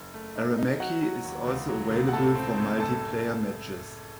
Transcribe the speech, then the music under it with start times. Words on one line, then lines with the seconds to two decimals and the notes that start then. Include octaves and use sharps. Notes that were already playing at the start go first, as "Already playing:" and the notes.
Aramaki is also available for multiplayer matches.
Already playing: F#1
0.14 A3
0.36 D#4
0.58 D#4
0.80 F#3 F#4 F#5
1.03 F#3
1.24 D#2
1.47 C#2
1.69 F#3
1.91 C#2
2.09 F#5
2.13 A2 A4 A5
2.35 C4
2.58 A2
2.80 F#1 A4 A5